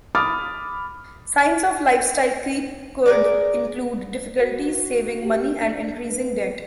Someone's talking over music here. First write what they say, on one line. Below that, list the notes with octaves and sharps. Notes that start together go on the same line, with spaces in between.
Signs of lifestyle creep could include difficulty saving money and increasing debt.
B5 D6 D#6 F6 A6
G#4 A#4 D5
F#4
G4
D4
B4